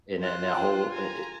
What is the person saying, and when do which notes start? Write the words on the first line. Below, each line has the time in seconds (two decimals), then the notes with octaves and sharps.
in that that whole, eh eh
0.20 F4 C5 F#6
0.53 F#4 G5
0.93 G#5 A#5